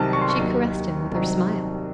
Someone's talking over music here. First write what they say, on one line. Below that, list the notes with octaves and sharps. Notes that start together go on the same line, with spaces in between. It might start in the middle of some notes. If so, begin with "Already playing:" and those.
She caressed him with her smile.
Already playing: C2 C3 D#3 F#3 A5
C#6
C6
C#6
D#2 D#3 F#3
C2 C3 D#3 F#3